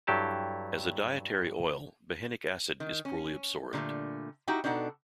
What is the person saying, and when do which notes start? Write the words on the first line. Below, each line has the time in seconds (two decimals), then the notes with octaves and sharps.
As a dietary oil, behenic acid is poorly absorbed.
0.07 G2 F#3 E4 G4 A4 A5
2.80 D#3
3.05 C#4
3.73 A#2 D3 F#3 G3 A3
4.48 D#4 E4 F#4 G4 G5
4.64 B2 D4 D#4 A4 F#5